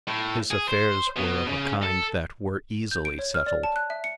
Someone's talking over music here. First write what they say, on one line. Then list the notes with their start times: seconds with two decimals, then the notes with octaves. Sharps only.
His affairs were of a kind that were easily settled.
0.08 A2
0.51 G#4
0.69 C5
1.17 B2
1.47 C#3
1.82 A4
2.91 G6
3.05 D7
3.19 C#5
3.34 F6
3.46 D5
3.63 A5
3.76 F#6
3.90 E5
4.04 C#7